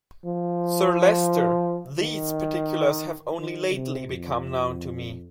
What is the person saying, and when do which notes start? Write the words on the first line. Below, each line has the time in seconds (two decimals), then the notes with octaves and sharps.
Sir Leicester, these particulars have only lately become known to me.
0.25 F3
2.00 D#3
3.39 D#3
3.74 C3
4.08 F2